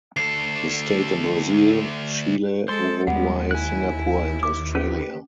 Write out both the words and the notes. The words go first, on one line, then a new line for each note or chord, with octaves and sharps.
He stayed in Brazil, Chile, Uruguay, Singapore and Australia.
D2 A4 C7
G#3 A4 C5 C6
D#2 G3 G#3 B3 F#5
E4 G#5 F#6
D6
C#4 G4 B4